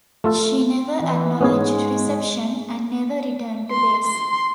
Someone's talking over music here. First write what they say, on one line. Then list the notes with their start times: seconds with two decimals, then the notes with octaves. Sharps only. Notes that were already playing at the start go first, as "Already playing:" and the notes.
She never acknowledged reception, and never returned to base.
0.24 A3 F4 A4
1.01 E3
1.41 G#2 G#3 B3 C#4 G#4
3.71 C6
4.06 C6